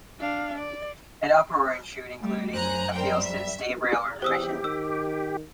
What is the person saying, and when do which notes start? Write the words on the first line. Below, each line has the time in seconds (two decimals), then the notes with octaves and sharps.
An uproar ensued, including appeals to the State Railroad Commission.
0.20 D4 F5
0.58 D5
2.20 G3 A3
2.54 F#2 C5 G#5 A#5 F#6
2.93 G3 A#4 C5 G5
3.23 E5
4.22 E2 G4 C5 D#6 E6
4.64 D#3 E6